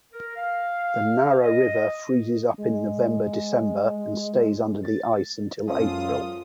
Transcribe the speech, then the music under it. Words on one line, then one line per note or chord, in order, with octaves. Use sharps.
The Nara River freezes up in November-December and stays under the ice until April.
A#4
F5
D#5
G#3
A6
F#2 F3 G#3 C#4 F4 A4 D5 D#6